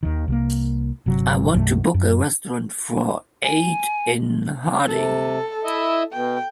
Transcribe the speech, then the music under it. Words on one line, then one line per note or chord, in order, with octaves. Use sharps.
I want to book a restaurant for eight in Harding.
D#2 D#3
C2 F#3 A#3
G1 C3 F#3
B1 F#2 D#3 A3
F#2
G#5
C3 A4
E4 D#5 E5
B2 G5